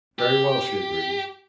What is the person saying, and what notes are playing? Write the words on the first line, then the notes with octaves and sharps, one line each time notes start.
"Very well," she agreed.
G4